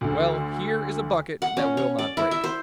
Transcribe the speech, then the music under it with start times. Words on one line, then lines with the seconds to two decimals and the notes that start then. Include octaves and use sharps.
Well, here is a bucket that will not break.'
0.01 D2 D3
1.42 F#5
1.57 C#4
1.77 C#5
1.99 D5
2.17 E4
2.31 E5
2.44 C5